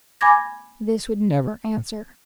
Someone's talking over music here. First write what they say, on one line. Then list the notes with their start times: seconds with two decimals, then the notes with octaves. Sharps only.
This would never answer.
0.21 G#5 B5 D6 G#6 A#6